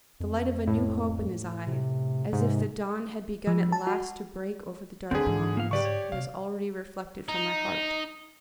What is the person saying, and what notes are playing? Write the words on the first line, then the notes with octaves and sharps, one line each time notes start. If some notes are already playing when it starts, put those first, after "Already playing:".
The light of a new hope in his eye, as if the dawn had begun at last to break over the dark mountains, was already reflected from her heart.
F2
A2
C3
G#2 C3
F3
A5
F#4
D2 D3 C4 G#4 B4
G#2 E3
A#3 B3 F5
C#3 F#3 G4 B4 D5 C#6
C#5
C3 F5
D#4